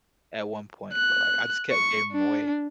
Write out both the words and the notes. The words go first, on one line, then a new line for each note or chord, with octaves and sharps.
at one point, but, like, I just kept gave them away,
F#6
C#6
D4